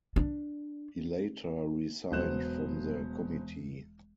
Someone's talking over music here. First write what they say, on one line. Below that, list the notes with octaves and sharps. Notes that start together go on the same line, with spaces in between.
He later resigned from the committee.
D4
E1 F#3 B3 C5 F#6 E7